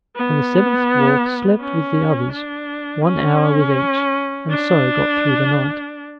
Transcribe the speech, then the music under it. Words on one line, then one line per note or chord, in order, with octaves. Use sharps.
And the seventh dwarf slept with the others, one hour with each, and so got through the night.
B3
C#4
D4
C#4
D4